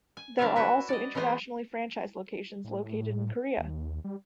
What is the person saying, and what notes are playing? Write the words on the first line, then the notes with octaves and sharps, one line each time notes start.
There are also internationally franchised locations, located in Korea.
G#5
D3 G3 C4 D4 E5 F5
E4 F#4 B4 E5
D5 D#5
E3 G#3 A3 B3 C5
A2
D#2
G3